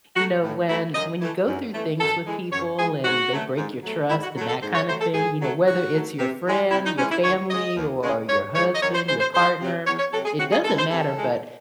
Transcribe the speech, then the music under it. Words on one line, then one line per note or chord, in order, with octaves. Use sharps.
you know, when when you go through things with people and they break your trust and that kinda thing, you know, whether it's your friend, your family, or your husband, your partner, it doesn't matter, but
F#3 A3 F#4
A2
F#3 A3 E4
F#2 D#5
E3 A3
F#2
E3 A3
F#2 A4
E3 G#3
F#2 C#5
E3 G#3 G#4
G#2 F#4
F#3 A3
G#2
F#3 A3
G#2 E4
F#4
F#3 A3
A4
G#2 C5
C#5
F#3 A3 C5
A4
G#2 G#4
F#3 A3
G#2 F#4
F#3 A3
C3
E3 G#3
C3 E4
D#4
E3 G#3 C#4
E4
D#2 C#5
C#3 G#3 D#5
D#2
C#3 G#3
F#2 C#5
E3 G#3 C#5
D#5
F#2 C#5
C5
E3 G#3 C5
C5
E2 C5
C3 F#3
E2 C#5
C#5
C3 F#3 A4
G#4
C3 F#4
G#4
E3 G#3 A4
C5
C3 A4
E3 G#3